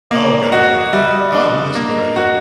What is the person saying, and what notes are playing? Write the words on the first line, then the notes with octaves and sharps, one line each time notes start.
Oh, got it, got it, yeah, yeah. Oh nice, okay, yeah.
A#3 D#5
C#5
D5
F#4 D#5
D#5
G3 E5
D#5
D5
D4 D#5
A#3
F#4